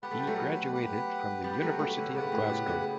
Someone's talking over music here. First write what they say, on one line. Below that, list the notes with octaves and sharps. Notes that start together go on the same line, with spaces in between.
He graduated from the University of Glasgow.
B3 G4 B4 F#5
A3
G3
F#3 A3
G4 B4 F#5
G3 B3 G4 B4 F#5
F#3 A3
A3 C#4
D3
C#3 G4 B4 F#5
A2
B2
C#3